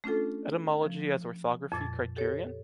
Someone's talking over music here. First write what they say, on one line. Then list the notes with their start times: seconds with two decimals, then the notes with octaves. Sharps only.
Etymology as Orthography Criterion?
0.04 A3 C#4 D4 F4 A4
0.83 F3
1.72 F2 A#2 A6
2.16 G4 A4 A#4 C#5